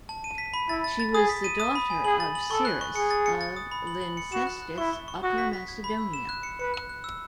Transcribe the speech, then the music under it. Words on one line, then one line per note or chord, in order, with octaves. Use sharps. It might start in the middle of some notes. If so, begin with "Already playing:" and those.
She was the daughter of Sirras of Lyncestis, Upper Macedonia.
A5
D#7
B6
B5
E4 A6
A6
A6
G#4 D#6
B6
D#7
D#6
B5
G#5
G#4 F#7
A6
F#7
A4 C#6
F#6
C#6
G#4 C#7
A6
C#7
A6
D#6
B5
F#7
F#7
C#7
F#4 E7
F#6
F#6
E4 C#6
C#6
C#6
F#4 D#6
B6
B6
G#6
B5
E6
E7
F#6
C#7
B4 C#7
F#6
F#6
E6